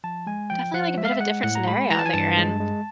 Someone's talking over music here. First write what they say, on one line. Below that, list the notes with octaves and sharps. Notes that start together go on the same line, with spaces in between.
definitely, like, a bit of a different scenario that you're in,
F3 A5
G#3 G#5
F3 G5
F3 F#5
G#3 E5
F5
E5
G#3 F#5
A2 F#5
A#5
G#3 B5
E3 A#5
A5
G#5
G2 A5
G#3
G#3